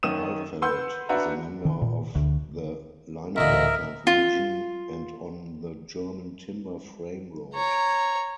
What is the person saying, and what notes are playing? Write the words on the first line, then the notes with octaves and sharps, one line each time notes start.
Alfeld is a member of the Leinebergland region and on the German Timber-Frame Road.
F#2 D#3 C#4 D#6 D#7 E7
B4 F#5 C6 E6 G6
D4 F#4 B4 E5 F#5 A#5
D#3
A#2
D2
A1 D2 A#2 A#4 D#5 E5
F4
C#5 A#5